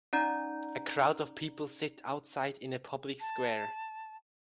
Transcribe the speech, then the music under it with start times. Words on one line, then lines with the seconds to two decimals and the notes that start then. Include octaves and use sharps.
A crowd of people sit outside in a public square.
0.13 C#4 D#4 D5 A#5 G6
3.20 A5